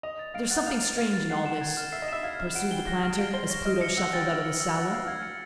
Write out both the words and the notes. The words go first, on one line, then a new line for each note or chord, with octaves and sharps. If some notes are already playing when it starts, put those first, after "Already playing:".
"There's something strange in all this," pursued the planter, as Pluto shuffled out of the sala.
D#5 F7
A6
F5 D7
F#5 A6
F5 F7
A6
F5 D7
A6
F#5 C7
F#5 E7
G#6
F6
E5 C7
D#5
E5 E7
F5 G#6
E5 F6
F#5 D7
G5 G7
F#5 A#6
F6
F5 D7
C5 G7
C#5 A#6
D#5 F6
E5 C#7
F#5 E6
G5 A6
E6
C#7
E6
F#5 A6
F5 E6
F5 G#6
C#7